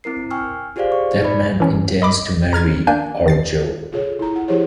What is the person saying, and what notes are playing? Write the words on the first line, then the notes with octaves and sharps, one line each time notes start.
That man intends to marry our Jo!
C4 E4 A#4 C7
G5 G#5 C#6 E6 F6
F4 G4 G#4 C5 D5 F5
C#6
D#4 D5 D#5 B5
E3 C#4
D#5 B5 D6
A#5 F6 G#6 A6
A#3 D4 G#5 G6
D#3 A6 C7
F4 G#4 A4 C#5
E4 A#5
E4 F#5
F3 E4 G4 G#4 C5 C#5